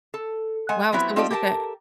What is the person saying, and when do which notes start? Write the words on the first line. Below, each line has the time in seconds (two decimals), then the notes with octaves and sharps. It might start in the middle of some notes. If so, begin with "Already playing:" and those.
Wow, so it was like a
0.14 A4
0.69 G#3 F#5 G#5
0.92 F#3 B3 C4 E4 F#4 G4
1.16 C4 D#4 F4 G4 A4 D5
1.30 G4 A4 A#4 G5 A5